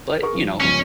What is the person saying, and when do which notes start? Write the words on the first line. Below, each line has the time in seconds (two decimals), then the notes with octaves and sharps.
But, you know,
0.22 G#4 A#4 C#6
0.35 F3
0.60 G1 C#2 F3 C#4